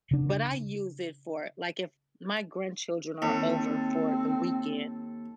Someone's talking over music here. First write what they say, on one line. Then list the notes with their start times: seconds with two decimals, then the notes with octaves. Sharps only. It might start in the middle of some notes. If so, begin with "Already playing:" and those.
but I use it for, like, if my grandchildren are over for the weekend
0.11 C#3 D4
3.22 D#2 C4 A4